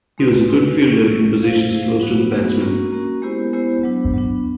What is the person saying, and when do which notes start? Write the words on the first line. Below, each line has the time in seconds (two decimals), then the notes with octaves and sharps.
He was a good fielder in positions close to the batsmen.
0.18 G#3 C4 D#4 F#4 B4
0.49 G#3 C4 D#4 F#4 B4
0.78 C#4 E4 A4
1.09 C#4 E4 A4
1.39 E4 G#4 C5 F5
1.71 E4 G#4 C5 F5
2.01 F#3 B3 D#4 F#4
2.31 F#3 B3 D#4 F#4
2.62 A#3 C#4 F#4 A#4
2.92 A#3 C#4 F#4 A#4
3.22 G#3 B3 E4 G4 C5
3.53 G#3 B3 E4 G4 C5
3.83 F#3 B3 D4
4.13 F#3 B3 D4